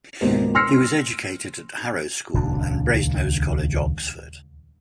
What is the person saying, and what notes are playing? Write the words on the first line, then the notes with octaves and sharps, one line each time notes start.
He was educated at Harrow School, and Brasenose College, Oxford.
G#1 C#2 B2 A#3 C5
C6 E6 F6 A#6 C7 C#7
D#1 C#2 A#2 D4